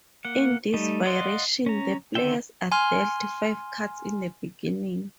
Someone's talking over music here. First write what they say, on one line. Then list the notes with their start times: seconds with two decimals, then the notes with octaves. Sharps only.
In this variation the players are dealt five cards in the beginning.
0.25 A#3 F#5
0.74 G3 A3 D#4
1.05 D5 D#5 F5 F#5 C6
1.66 C#4 A#5
2.15 D3 D#3 C4 E5 G5
2.72 G#5 C6 F6